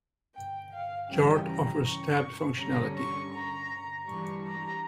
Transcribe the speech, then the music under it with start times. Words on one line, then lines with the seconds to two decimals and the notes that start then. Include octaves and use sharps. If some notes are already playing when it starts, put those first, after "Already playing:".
Jarte offers 'tabbed' functionality.
0.35 G5
0.72 F5
1.09 C#3 E3 G3 C#4 G5
1.47 A#5
1.84 C#6
2.58 D3 G3 C#4 A#5
2.95 C#6
3.33 A#5
4.07 E3 G3 D4 C#6
4.45 A#5